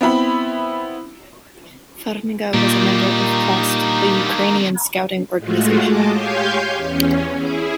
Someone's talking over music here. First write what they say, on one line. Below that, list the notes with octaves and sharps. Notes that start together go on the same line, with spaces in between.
Farmiga was a member of Plast, the Ukrainian scouting organization.
B3 C4 E4 B5
A#2 D#3 G3 A#3 D4 D#4
A2 G#3 A3 F4 F#4
G#3 G#4 D#5 A5 D6
G4 C#5 F5 G#5 C6 G6
E2 C#4
E4 G#4